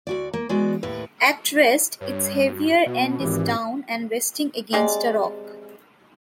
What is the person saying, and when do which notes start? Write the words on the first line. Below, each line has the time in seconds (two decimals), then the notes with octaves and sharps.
At rest, its heavier end is down and resting against a rock.
0.07 D2 F#4 D5
0.33 A#3
0.49 E3 G#3 B3 F#4 D5
0.83 D#2 A2 B4
2.01 G2 C#5
2.48 F#4
2.86 B2 F#4
3.20 G#1 E3 G4
4.73 C3 G#3 D5